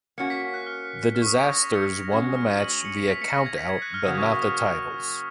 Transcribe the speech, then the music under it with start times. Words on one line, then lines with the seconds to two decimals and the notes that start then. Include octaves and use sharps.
The Disasters won the match via count out but not the titles.
0.18 A#3 C#4 F#4 C#7
0.30 B6
0.54 F#6
0.66 F6
1.15 F6
1.22 C#6
1.27 D#6
1.39 G#6
1.51 A#6
1.64 B6
1.75 C#7
1.88 B6
2.00 A#6
2.12 G#3 C#4 F#4 G#6
2.24 A#6
2.36 F6
2.48 D#7
2.60 F#7
2.73 F7
2.85 C#7
2.97 B6
3.10 B6
3.22 C#7
3.33 A#6
3.46 G#6
3.58 B6
3.69 G#6
3.82 F#6
3.94 F6
4.06 C#3 F#3 A#3 C#4 F#4 D#6
4.18 C#6
4.30 D#6
4.42 F6
4.55 F6